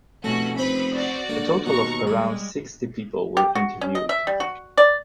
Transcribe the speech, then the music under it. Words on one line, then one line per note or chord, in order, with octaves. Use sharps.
A total of around sixty people were interviewed.
F1 B2 A3 C#4 F#4
C4 B4 B5
F#4 D5
D3 A#3
D#2 B2 A#5 C#6
G3 G#3
G4
F#4
C#4
D#5
E5
G3
F#4
D5